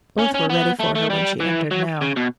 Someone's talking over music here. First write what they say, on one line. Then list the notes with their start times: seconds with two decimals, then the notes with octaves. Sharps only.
Both were ready for her when she entered now.
0.19 C#4
0.34 C#4
0.50 B3
0.79 A3
0.95 A3
1.10 G3
1.40 E3
1.71 F#3
2.01 C#3
2.16 B2